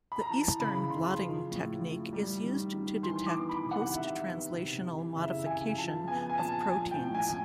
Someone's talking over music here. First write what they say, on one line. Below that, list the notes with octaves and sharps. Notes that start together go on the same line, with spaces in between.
The Eastern blotting technique is used to detect post-translational modification of proteins.
B5
A#5
E3 A5
C#3 B5
C#3 C6
F3
A2
A2
G3
D#3
D#3
E3 C6
D6
B3
B5
C3
F#5
D#3 E5
B3
C3
E3
C#3 E5
C#3 G#5
F3 A5
B3 G#5
G#5
A#2 A5
A5
F3 G#5
G5
A2
G#5
A2